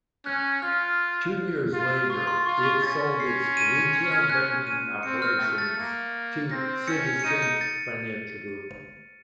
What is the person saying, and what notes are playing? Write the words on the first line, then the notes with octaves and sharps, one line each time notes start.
Two years later, it sold its retail banking operations to Citizens Financial Group.
C#4 F#6
F4 F6
F4
F4 C#6
C6
F4 C#6
C#6
C#4 A6
C7
D#7
C#7
C#7
F6
F#6
D#7
C4 C#7
F6
A3
A6
A#3
C4 A#6
C#4 C#7
C#7
C#7
D#4 D#7
C#7
A6